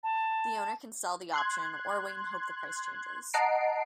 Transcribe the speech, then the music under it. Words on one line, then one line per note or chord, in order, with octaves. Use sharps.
The owner can sell the option, or wait and hope the price changes.
A5
C6 F#6 G#6
D#5 F#5 A5 A#5 C7 D7